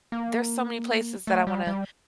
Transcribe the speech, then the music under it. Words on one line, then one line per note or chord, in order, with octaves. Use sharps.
there's so many places that I wanna
A#3
A3
G3
G3